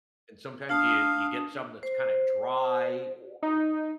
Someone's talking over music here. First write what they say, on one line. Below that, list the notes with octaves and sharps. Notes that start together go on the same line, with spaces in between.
and sometimes you you get something that's kinda dry or
D4 F5 A5 D#6
C5
D#4